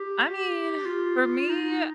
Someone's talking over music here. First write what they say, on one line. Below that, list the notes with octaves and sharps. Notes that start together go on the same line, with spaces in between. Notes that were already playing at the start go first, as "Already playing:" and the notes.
I mean, for me,
Already playing: G4
F4
D#4